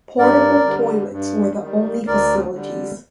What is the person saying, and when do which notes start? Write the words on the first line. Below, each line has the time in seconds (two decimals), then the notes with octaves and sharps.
Portable toilets were the only facilities.
0.18 G2 A#4 D5
0.66 D3 G3
1.13 G2
1.60 D#3 G3
2.07 D2 A#4 D5
2.54 D3 G3